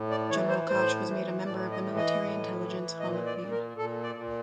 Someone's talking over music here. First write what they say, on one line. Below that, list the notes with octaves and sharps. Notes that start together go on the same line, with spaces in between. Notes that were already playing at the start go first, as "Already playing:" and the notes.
General Koch was made a member of the Military Intelligence Hall of Fame.
Already playing: A2
D5
E3 C#5
C5
A2 C5
E3
A2 D5
D#5
E3
D#5
A2
E3
A#2 D#5
D5
A#2
A#4
A#2 A4
D5
A#2